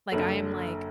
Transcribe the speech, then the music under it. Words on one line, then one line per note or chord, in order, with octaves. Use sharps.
like, I am like,
F#1 F#2 D3 A4